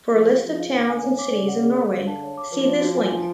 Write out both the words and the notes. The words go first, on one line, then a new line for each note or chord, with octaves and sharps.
For a list of towns and cities in Norway, see this link.
F3 G#4
B4
F3 F4
F5
D3 F5
G#5
C#5
D6
C#3 D5
F#5
G#4
G#4
D3 F5
A5
C#5
D6
F3 B4
D5
F#4
G#5
F4